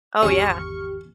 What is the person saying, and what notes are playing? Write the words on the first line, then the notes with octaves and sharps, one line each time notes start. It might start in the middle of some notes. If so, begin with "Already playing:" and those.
Oh, yeah.
G#1 E2 D3 C#4 G4 C#6 F6